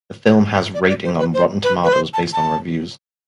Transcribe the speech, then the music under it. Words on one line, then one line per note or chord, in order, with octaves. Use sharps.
The film has rating on "Rotten Tomatoes" based on reviews.
D5
D5
C5
B4
C5
B4
B4
C5
A5
A5